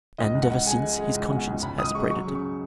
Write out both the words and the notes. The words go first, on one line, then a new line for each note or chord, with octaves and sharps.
And ever since his conscience has upbraided him.
C#2 D#5
C#2
F#5
C#2
G#3 G#5
G#3
G#3
C#2
B2
C#2
C#2 B5
C#2 D#6
G#3 C#6
F#3 C#6
C#3
C#6